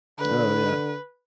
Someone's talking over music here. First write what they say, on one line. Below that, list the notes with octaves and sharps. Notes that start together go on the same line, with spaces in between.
Oh, yeah.
D3 B4